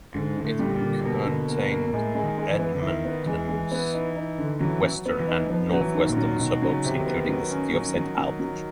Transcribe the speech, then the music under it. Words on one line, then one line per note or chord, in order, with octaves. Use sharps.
It contained Edmonton's western and northwestern suburbs, including the city of Saint Albert.
G#2 D3
D3
A2
G3
A#2
D3
B2 A#3
D3
A#3
A#3
A2 G#3
G#3
D#3
G#3
E3
B3
D3
D#3 E4
B3
E3 G#3
G#3
B3
D#4
D#4
D3
E3 F#3
F#3
B3
E3
D#4
F3 B3
F#3
E3
D#3
A2
A#2
F#3
B2 D#3
F#3
C#3
C3
D#3
B3
F#3
C#4
F#3
F#3
F#3
F#3